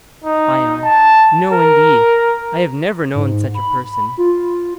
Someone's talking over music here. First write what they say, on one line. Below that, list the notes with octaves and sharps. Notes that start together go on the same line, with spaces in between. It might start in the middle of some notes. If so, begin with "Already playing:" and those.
ION: No indeed, I have never known such a person.
D#4
A5
A#4
G#2
B5
F4